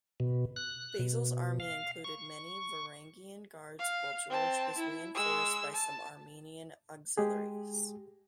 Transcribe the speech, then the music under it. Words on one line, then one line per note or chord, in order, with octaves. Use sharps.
Basil's army included many Varangian Guards while George was reinforced by some Armenian auxiliaries.
B2
F#6
B2
F5
C#6
F5
C4 A5
E4
G#3 E6
A5
G#3 G4 G#4